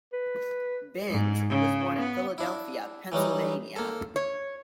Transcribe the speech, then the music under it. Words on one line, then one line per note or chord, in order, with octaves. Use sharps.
Binns was born in Philadelphia, Pennsylvania.
B4
G#2
C#3
B3
D4 E4
E3 F#3 G3 D#4
A#3 A4
C#5